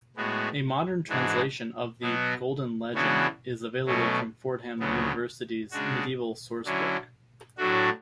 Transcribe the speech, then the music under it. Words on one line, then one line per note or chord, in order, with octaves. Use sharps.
A modern translation of the "Golden Legend" is available from Fordham University's Medieval Sourcebook.
A2 G#3 B3 F#4
G#2 E3 G#3 D4 F#4
B2 F#3 B3 F#4
C#3 E3 B3 D4 F#4
B2 F#3 A3 C#4
D2 C#3 F#3 B3
C#3 G#3 D4 F#4
D3 F#3 C#4 E4
A2 F#3 A3 D4 F#4